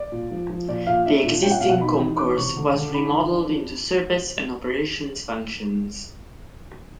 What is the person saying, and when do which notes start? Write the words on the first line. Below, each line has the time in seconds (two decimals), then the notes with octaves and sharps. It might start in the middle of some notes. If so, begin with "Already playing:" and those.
The existing concourse was remodeled into service and operations functions.
Already playing: D5
0.12 A#2
0.31 F3
0.50 F3
0.68 A#2 D5
0.87 A#2 F5
1.05 D4 E5
1.25 A#2
1.43 C#4 G5
1.51 F#5
1.61 B2 F5
1.70 F#5
1.81 D#4 B5
2.00 E3
2.18 C#4 D6
2.37 C3 C#6
2.56 D3
2.75 D3
2.93 D#4 B5
3.12 E3
3.31 D4